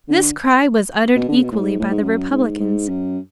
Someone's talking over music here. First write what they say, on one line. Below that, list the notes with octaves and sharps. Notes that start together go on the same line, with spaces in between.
This cry was uttered equally by the republicans.
D3
B2
D3
C#3
B2
A2
G#2
A2
G#2
F#2
G#2
G#2
F#2